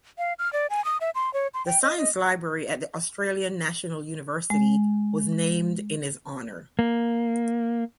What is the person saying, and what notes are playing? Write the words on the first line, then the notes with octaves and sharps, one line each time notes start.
The science library at the Australian National University was named in his honour.
F5
F6
D5
G#5
D#6
E5
C6
C#5
C6
G5
D#5
D#5
G#3
A#3